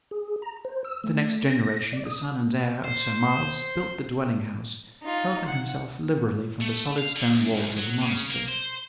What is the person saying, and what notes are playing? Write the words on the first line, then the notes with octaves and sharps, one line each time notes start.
In the next generation, the son and heir of Sir Miles built the dwelling-house, helping himself liberally from the solid stone walls of the monastery.
G#4
A#5
C5
E6
A3
A#6
A#6
D5
D#6
C5
D#4 F4
F#5
A3
F5
D3
F#2
B1
F#3
C#3
A#3
C5